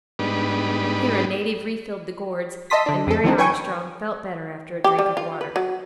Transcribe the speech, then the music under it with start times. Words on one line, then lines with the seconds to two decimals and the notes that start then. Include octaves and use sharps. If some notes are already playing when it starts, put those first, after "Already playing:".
Here a native refilled the gourds, and Mary Armstrong felt better after a drink of water.
0.19 G#2 G3 B3 D4 D#4 B4
2.70 D#5 E5 A5 C6 D#6 B6
2.86 D3 D4
3.07 F2 A4
3.24 D#3 E3 F#3 C4 D4 D#4
3.38 B4 C#5 G5 G#5 C#6
4.84 G4
4.99 G3
5.17 F4
5.41 B4
5.56 F#3